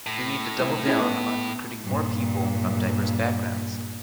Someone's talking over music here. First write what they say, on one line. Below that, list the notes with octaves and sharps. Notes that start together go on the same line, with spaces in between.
We need to double-down on recruiting more people from diverse backgrounds.
A2
C2
C#4 E4 G#4
B3
G2 A#2